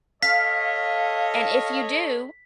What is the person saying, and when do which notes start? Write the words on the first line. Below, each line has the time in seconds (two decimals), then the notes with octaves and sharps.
and if you do,
0.23 A4 C#5 D#5 F5 B6